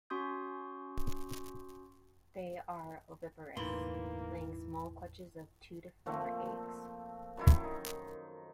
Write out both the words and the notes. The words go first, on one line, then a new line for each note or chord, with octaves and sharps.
They are oviparous, laying small clutches of two to four eggs.
C#4 F#4 C6 D#6 G6
G1 E2 A2 E3 A#3 D#4 B5 C6
A#2 F3 A3 C4
F#2 D#3 E4
D#4